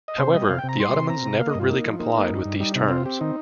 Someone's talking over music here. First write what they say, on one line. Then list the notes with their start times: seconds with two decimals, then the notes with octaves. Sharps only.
However, the Ottomans never really complied with these terms.
0.08 D#5
0.18 C3 C5
0.34 G3 D#5
0.49 C3 F5
0.58 G5
0.63 C3
0.69 A#5
0.80 G3 C6
0.94 C3
1.09 C4 A#5
1.25 C3
1.39 A#3 F5
1.50 D#5
1.55 G2 F4
1.69 A#3 D#4
1.85 F3
1.99 A#3 D#4
2.15 A#3
2.30 G2
2.45 G2
2.60 G3 D#4
2.75 C3 D#4
2.90 C4 F4
3.06 C4 G4
3.21 D#3 D#4